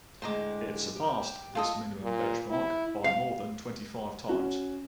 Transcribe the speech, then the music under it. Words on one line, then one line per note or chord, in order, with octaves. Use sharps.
It surpassed this minimum benchmark by more than twenty-five times.
A2 D3 G#3 C5 A#5 D6
G4
F4 A4 D#5
A#2
E4
F5
C#4 F#4